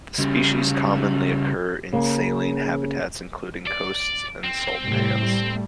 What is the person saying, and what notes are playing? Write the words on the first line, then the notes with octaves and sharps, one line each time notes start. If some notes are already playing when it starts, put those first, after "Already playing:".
The species commonly occur in saline habitats, including coasts and salt pans.
C#3 G3
C#3 A#3
D5
C4
A2 C3 G3
G3 A3